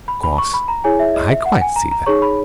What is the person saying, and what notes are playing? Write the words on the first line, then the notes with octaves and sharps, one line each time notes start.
Of course I quite see that.
B5
B5
C#6
B5
A#5
E4 G#4 C#5 G#5
E5
D#5
E5
F#5
G#5
A#5
A#5
D#4 G#4 C#5 C#6
B5